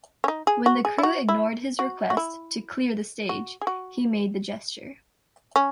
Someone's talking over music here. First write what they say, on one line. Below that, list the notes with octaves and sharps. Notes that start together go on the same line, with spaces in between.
When the crew ignored his request to "clear the stage", he made the gesture.
C#4
D#4
G#4
F#4
G#4
E4
F#4
E4
F#4
F#4
E4
F#4
G#4
F#4
C#4